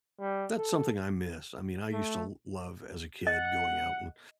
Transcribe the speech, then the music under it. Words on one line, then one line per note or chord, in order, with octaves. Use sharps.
That's something I miss, I mean, I used to l love as a kid going out and
G3
A4
A3
D#5 F#5